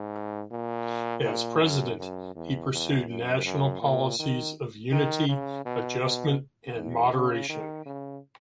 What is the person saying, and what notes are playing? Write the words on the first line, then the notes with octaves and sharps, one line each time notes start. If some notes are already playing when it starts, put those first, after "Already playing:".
As president, he pursued national policies of unity, adjustment, and moderation.
Already playing: G#2
A#2
A#2
F#2
F#2
E2
E2
F#2
F#2
A#2
D#3
D#3
C#3
B2
B2
E2
C#3
D#3
C#3